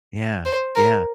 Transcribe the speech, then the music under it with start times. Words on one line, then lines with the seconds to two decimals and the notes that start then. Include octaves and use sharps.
Yeah, yeah.
0.46 C5
0.76 A#4